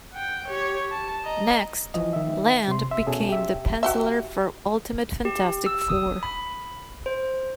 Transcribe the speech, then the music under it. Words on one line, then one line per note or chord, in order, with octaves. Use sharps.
Next, Land became the penciler for "Ultimate Fantastic Four".
F#5 G5
G4 C#5
A5
D#5 A#5
E3 F3 D#5
D#3 E5
C3 C6
E5
B2 C#4 G#4 A4
G4 E5
F#4 G4 E5
G4
E6
D#6
B5
C5